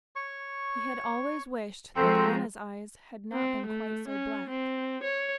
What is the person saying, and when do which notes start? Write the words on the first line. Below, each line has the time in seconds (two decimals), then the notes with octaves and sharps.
He had always wished that Anna's eyes had not been quite so black.
0.16 C#5 C#6
1.96 F3 G#3 C4 F#4 A4 C5 A#5
3.33 C4
3.66 A3
4.08 C#4
4.49 C4
5.03 C#5